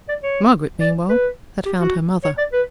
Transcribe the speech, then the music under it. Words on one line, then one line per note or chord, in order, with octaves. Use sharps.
Margaret meanwhile had found her mother.
D5
C#5
D5
B4
G4
F#4
C#5
D5
B4